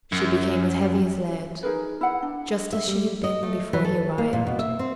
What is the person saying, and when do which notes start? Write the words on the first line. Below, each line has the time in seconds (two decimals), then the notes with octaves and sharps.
She became as heavy as lead--just as she had been before he arrived.
0.12 F#2
1.63 D#4 G#4 A#4 B4
2.01 E4 F#5
2.22 D4
2.73 E5
2.87 G3
3.24 D#5
3.43 A3
3.73 E3
3.85 A4
4.18 A#3
4.33 A#2
4.47 B2
4.59 E5
4.79 C4